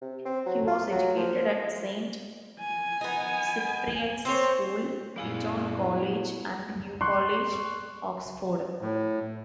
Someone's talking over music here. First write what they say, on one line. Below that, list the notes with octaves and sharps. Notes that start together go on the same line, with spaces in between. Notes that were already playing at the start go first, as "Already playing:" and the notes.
He was educated at Saint Cyprian's School, Eton College and New College, Oxford.
C3
C4
F#3
F4
F#3
F3
G#5
B3 D#4
C4 C5 C#5
F#2 A#2 G3 B3 E4 G#4 F5 G#5
C6 C#6 F#6
A2